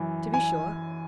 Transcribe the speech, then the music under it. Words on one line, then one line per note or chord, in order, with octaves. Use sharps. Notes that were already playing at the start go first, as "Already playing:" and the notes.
'To be sure.
Already playing: F#2 E3
G#5